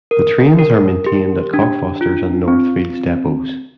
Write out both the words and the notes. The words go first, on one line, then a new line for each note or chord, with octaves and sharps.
The trains are maintained at Cockfosters and Northfields depots.
A#4
A#4
G4
D4
F4
C4